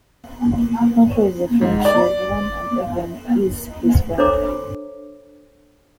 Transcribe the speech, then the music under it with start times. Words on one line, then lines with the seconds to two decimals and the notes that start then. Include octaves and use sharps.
Humphrey is a friend to everyone and everyone is his friend.
1.61 G#2
1.85 D5
4.18 D4 A4 C5 C#5 A#5 D6